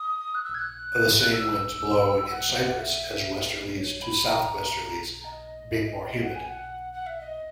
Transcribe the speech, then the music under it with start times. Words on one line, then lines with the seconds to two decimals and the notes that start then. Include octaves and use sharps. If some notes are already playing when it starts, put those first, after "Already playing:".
The same winds blow in Cyprus as westerlies to southwesterlies, being more humid.
Already playing: D#6
0.35 F#6
0.44 E6
0.54 G#6
0.59 F#6
1.33 E6
2.31 F#5
2.80 E5
3.77 C#5
4.02 B5
4.27 A#5
5.25 D#5
6.23 F#5
6.35 G#5
6.48 F#5
6.93 F#5
7.07 E5
7.21 D#5